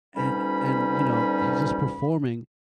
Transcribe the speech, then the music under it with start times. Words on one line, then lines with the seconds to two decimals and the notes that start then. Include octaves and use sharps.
and and, you know, he's just performing,
0.17 D2 B2 G3 C#4 D#4 B5